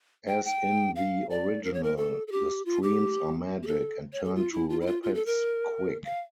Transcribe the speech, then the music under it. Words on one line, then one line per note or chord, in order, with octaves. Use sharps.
As in the original, the streams are magic, and turn to rapids quick.
G5
G5
F5
D5
A#4
C#5
A#4
A4
A4
G4
F4
G4
G4
A4
C#5
A4
F4
E4
F4
E4
F4
F4
A4
A#4
F5